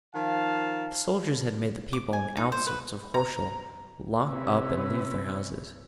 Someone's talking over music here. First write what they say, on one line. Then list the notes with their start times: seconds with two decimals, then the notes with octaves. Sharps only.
The soldiers had made the people on the outskirts of Horsell lock up and leave their houses.
0.14 D#3 F3 F5 A5
1.93 D6
2.13 G#5
2.37 D#4
2.52 C5
2.67 B4
3.14 A#5
4.25 C3 C#4 E4 B4 E6